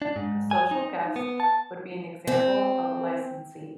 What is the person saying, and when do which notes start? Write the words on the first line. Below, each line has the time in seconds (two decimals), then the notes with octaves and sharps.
A social guest would be an example of a licensee.
0.02 D4
0.16 G#2
0.51 G#5
0.71 D#4
1.16 B3
1.40 A5
2.27 C4